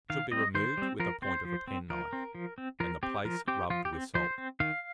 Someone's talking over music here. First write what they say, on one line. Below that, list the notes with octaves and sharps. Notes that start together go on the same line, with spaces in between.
It should be removed with the point of a penknife, and the place rubbed with salt.
D#3 F5
G3 C4 D#5
D#3 C5
G3 C4
F3 A#4
C4 C5
F3
C4
F3 A#4
C4
F3
C4
F3 A#4
C4 G4
F3 A#4
C4 G4
F3 F4
G4
C4
F3 C5
C4
D#3 F5